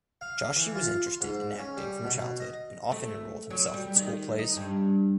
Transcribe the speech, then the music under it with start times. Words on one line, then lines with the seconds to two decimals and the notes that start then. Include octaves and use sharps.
Joshi was interested in acting from childhood and often enrolled himself in school plays.
0.21 F5
0.56 E3
0.75 F4
1.06 C6
1.21 G#2
1.59 C#4
1.77 G3
2.04 B2
2.40 D#5
2.92 A3
3.50 F#3
3.74 G3
3.96 D#3
4.39 D#4
4.56 G2